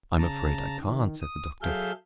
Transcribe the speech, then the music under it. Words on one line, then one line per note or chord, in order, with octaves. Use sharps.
"I am afraid I can't," said the Doctor.
C#3 A5 A#5
D#3
D#6
F#3 G#4 A4 E5 F5 G6